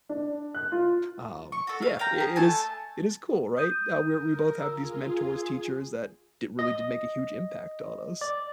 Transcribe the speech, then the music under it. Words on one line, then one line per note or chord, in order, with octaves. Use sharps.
um, yeah, i it is it is cool, right? Tha we're we both have these mentors, teachers that did really did make a huge impact on us.
D4
F#6
F4
C#6
F#4 A4
F5
F5 G5 A#5
G#4
A3 G#5 A5
D#6 G6 D#7
A#4
F4 G#4 A#5 E6
D#5
D5